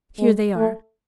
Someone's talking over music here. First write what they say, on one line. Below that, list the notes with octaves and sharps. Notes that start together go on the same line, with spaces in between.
"Here they are."
G#3
A3